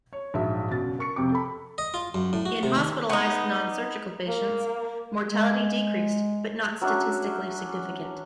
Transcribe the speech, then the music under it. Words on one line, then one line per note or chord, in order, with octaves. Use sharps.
In hospitalized non-surgical patients, mortality decreased but not statistically significant.
C#5
A#1 G#2 F#3 E5
F#1 B2 A6
A#4 C#6 C#7
F2 C3 C4 D6
A4 B5
D#5
F4
F#2
A2
F#4
C3
D#3
B3 D#4
A#3
G#3
F#3 C#4 D4 E5